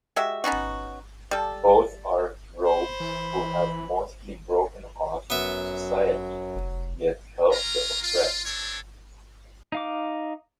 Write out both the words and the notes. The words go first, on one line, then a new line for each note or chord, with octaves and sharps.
Both are rogues who have mostly broken off from society, yet help the oppressed.
G#3 F#4 G4 E5
B3 C#4 D#4 F#4
G3 A4
C5 B5
E3
F#2 F#3 B3 E5
F1
C#4 F4 A#4 A#5
F4
C4 D4 A4 C#5
D#4 F5 D6